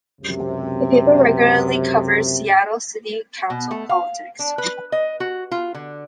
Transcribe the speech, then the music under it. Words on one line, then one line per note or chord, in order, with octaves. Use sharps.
The paper regularly covers Seattle City Council politics.
C#2 F#2 C3
B2
A3
F5
D4
B4
D#5
F#4
F4
D3